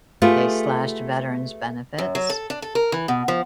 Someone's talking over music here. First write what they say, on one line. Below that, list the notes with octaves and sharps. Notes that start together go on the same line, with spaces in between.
they slashed veterans benefits.
A3 B3 F4 G4 G#4
F#2
F#3
A4
D4
A4
A#4
E3
B2
F3